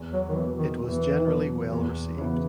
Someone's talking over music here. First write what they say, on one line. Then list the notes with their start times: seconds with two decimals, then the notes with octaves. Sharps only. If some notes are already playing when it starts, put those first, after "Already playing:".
It was generally well received.
Already playing: E2
0.13 F#3
0.29 D#3
0.36 B2 E3 F#3
0.59 D#3
0.81 E2 E3
1.27 B2 F#3
1.72 E2
2.17 C#3 E3 B3